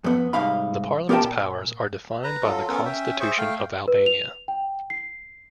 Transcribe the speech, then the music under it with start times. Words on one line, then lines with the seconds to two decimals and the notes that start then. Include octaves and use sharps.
The Parliament's powers are defined by the Constitution of Albania.
0.04 F2 B3
0.33 C2 F2 G#2 D#4 F5 B5
1.09 B3 G4 A#4 F5 G5 A5
1.23 A#2
2.24 B4 A#5
2.43 F#3 F4 A4
2.68 B3 C#4 A4 A#4
2.86 C#4 E5 G5
3.20 G#4 C5 E5 C#6
3.38 A3 F5 G5
3.88 B4
4.06 F7
4.48 G5
4.90 C7